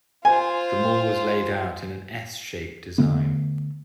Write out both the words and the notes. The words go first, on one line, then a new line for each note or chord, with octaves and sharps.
The mall was laid out in an "S" shape design.
F4 C5 G#5
D3 A3 B3